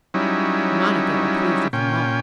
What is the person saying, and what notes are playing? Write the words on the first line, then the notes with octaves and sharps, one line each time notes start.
Monica approved of them all.
F#3 G3 C#4 D#4 E4
A#2 C#4 G5